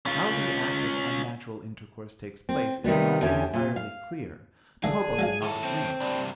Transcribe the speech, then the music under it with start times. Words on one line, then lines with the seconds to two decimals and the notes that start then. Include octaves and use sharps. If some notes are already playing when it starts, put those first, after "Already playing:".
How the act of unnatural intercourse takes place is not entirely clear; the hoboes are not agreed.
0.06 C#4 F4
2.49 C4
2.84 C3 D#3 G3 B3
3.21 E2 D3 C#4 G4 G5
3.53 A#2 F4
3.76 F5
4.84 D3 E3 G#3 D4 G#4
5.19 F#3 G#3 F4
5.42 A2 D#3 A4
5.64 C4
6.00 C2 G2 D4